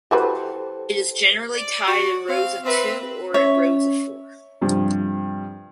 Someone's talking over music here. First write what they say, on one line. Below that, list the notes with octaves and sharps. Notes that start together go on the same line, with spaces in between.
It is generally tied in rows of two or in rows of four.
E3 F#4 G4 A4 B4 C5
D5
F#4
C4 F5
C4 B4 E5
C#4 C#5 E5
G2 C3 F3